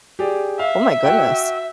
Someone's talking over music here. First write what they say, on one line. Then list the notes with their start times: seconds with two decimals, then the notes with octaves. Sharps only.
Oh, my goodness.
0.19 G4 G#4 D5
0.59 E5 F5
1.04 F#4 F#5 G5